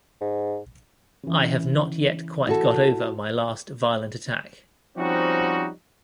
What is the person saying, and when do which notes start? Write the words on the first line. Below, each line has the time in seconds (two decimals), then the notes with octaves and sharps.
I have not yet quite got over my last violent attack.
0.21 G#2
1.23 C#3 E3
2.47 E4 F#4 A4
4.97 F3 G3 C4 C#4 D#4 F#4